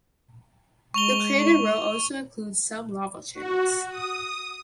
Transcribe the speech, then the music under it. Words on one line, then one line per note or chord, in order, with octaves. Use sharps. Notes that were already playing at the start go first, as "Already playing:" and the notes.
The crater row also includes some lava channels.
G#3 C#6 F7 G7
F#4
D#6